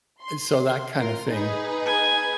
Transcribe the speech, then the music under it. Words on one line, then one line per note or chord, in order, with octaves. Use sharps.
uh, so, that kind of thing,
C6
F4 A#4 C6
D#4 G#4 B4
G#5